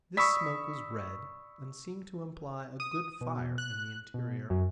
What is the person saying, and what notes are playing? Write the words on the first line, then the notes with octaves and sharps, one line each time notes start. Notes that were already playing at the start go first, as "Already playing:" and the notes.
This smoke was red, and seemed to imply a good fire in the interior.
D5 B5 C#6 D#6 E6 B6
D#6
B2
F#6
B2
F#2